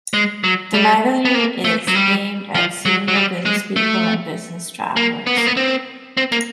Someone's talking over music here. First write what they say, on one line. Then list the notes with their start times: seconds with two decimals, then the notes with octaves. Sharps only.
The magazine is aimed at senior businesspeople and business travellers.
0.14 G#3
0.44 F#3
0.74 G3
1.25 B3
1.35 A#3
1.64 A3
1.88 F#3
1.95 G3
2.55 F3
2.85 F#3
3.08 F#3
3.15 G3
3.46 G#3
3.76 A3
4.96 A#3
5.27 B3
5.37 A#3
5.46 B3
5.57 C4
6.17 C4
6.32 A#3